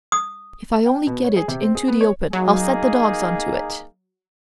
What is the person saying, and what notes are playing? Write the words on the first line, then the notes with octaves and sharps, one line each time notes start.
"If I only get it into the open I'll set the dogs on to it."
D#6
G5
B2
C#5
G#4
C3
C4
G#4
B3
C#5
F#3 A#3 D#4 G#4